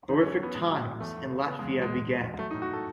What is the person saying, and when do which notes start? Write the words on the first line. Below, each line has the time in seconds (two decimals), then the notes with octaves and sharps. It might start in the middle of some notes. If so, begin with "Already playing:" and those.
Horrific times in Latvia began.
0.08 E2 D#4
0.21 C#4
0.24 F#3
0.39 F#3 B3
0.55 A2 G#3
0.70 F#3
0.85 A2
1.01 E2 A3
1.16 E2
1.32 C#3
1.46 C#3 B3
1.59 G#3
1.62 E2
1.77 F#3 G#3
1.92 E2
2.09 F#3
2.23 E2
2.38 F#3 A3
2.51 D#4
2.54 A2
2.62 F#4
2.69 A2 A4